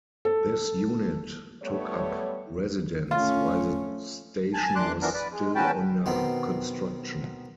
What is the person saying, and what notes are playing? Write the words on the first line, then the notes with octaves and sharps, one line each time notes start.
This unit took up residence while the station was still under construction.
A4
G3 A3 B3 C#5
A3 C#4 F4
G#5 A5
F#2 D4 C6 D6 F#6
E3 F3 B3 D4 A#4
B4 D5
G#3
E2 C#4 F#4 B4 G5 A5
B2 D#3 B3 C4